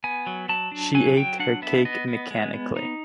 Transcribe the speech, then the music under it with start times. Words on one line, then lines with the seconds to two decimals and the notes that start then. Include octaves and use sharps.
She ate her cake mechanically.
0.04 B3 G#5
0.27 F#3
0.49 F#3 A5
0.72 D4
0.94 F#3 G#5
1.17 F#3 G5
1.40 D4 F#5
1.62 B3 E5
1.85 B3 D#5
2.08 B3
2.31 G#3
2.53 B3
2.76 D#4